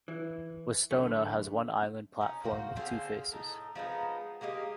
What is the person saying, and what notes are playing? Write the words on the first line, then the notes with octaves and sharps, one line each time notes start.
Westona has one island platform with two faces.
E3
F#2 D3 A3
C#4 D#4
A#3 F#4 C5
D3 G#4 C5 F5
A2 D#4
F3 G#3 B3 D#4
G#3 A#3 G4 D#5